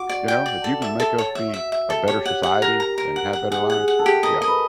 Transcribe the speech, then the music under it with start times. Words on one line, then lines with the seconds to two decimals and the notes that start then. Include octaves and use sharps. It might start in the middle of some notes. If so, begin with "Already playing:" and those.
You know, "If you can make us be a better society and have better lives? Yeah,
Already playing: F#4 D6
0.09 D5
0.28 G5
0.46 D5
0.64 A4
0.82 E5
1.00 A4
1.18 C#5
1.35 E5
1.54 E5
1.72 E5
1.90 A4
2.08 G4 C#5
2.26 F#5
2.43 F#5
2.62 A#4
2.80 A#5
2.98 A#4
3.16 F#5
3.33 F#5
3.51 G#4 F#5
3.70 F#5
3.75 G#4
3.88 F#5
3.99 A4
4.06 G4
4.23 A#4 D#5
4.42 D#5
4.48 B4